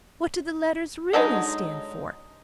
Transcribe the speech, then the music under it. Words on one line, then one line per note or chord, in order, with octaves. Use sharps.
"What do the letters really stand for?"
D3 F#3 G#3 D#4